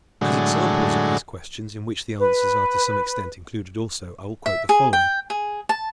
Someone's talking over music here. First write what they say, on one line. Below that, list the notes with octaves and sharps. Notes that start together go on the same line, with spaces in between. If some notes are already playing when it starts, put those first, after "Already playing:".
As examples of these questions, in which the answers are to some extent included also, I will quote the following.
A2 D3 F#3 G#3
B4
E5
G#4
G5
G#4
A5